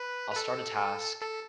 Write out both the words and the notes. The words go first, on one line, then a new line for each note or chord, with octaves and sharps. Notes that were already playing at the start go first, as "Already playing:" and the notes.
I'll start a task,
Already playing: B4
B4
A4
A4